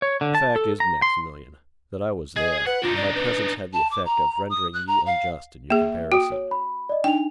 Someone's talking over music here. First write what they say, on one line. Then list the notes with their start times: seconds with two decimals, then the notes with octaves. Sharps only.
"The fact is, Maximilian, that I was there, and my presence had the effect of rendering you unjust in your comparison."
0.02 C#5
0.21 D3
0.35 A5
0.56 A4
0.80 A#5
1.02 C6
2.36 G#4 D#5
2.66 B4 F#5
2.83 D4 D#4 F4
2.97 D5
3.15 B4
3.73 A5
3.91 D6
4.05 A#5
4.50 D#6
4.73 F#6
4.87 A#5
5.06 F5
5.70 A#3 G#4 E5
6.12 F#4 G5 D#6 D7
6.32 C#5
6.51 B5
6.89 D5 D#5
7.04 D4 D#4 G5 F7